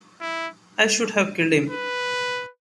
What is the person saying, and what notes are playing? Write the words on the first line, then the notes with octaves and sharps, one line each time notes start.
I should have killed him!
E4
B4